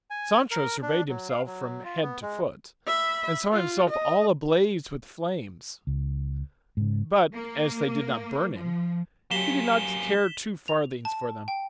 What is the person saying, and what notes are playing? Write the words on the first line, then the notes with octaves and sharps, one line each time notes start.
Sancho surveyed himself from head to foot and saw himself all ablaze with flames; but as they did not burn him, he did not care two farthings for them.
G#5
A#4
D4
F#3
F5
F#3
F4
B3
G#3
E5 B5
F4
D#5
C#2
G#2 C#3
A#3
F3
F#3 A#3 C#4 G4 B6 E7 G7
F7
A5
G5